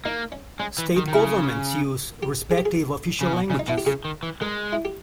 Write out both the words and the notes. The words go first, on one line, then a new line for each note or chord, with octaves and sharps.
State governments use respective official languages.
A#3 D#4
C#4
G#3 C#4
E3
D#3
D#3
C#3 E4
G4
G#4
G4
G#4
C#3
B2
C#3 C#4
D#4
B2 E4
G4
C#3 G#4
D#3
E3
G#3 A#4
E4
G4